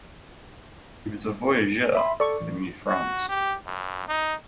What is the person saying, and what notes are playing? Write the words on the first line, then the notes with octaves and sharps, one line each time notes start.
He was a voyageur for New France.
E5 B5 C6
A4 D5 C#6
A1
F#4
G4
F#2
D#4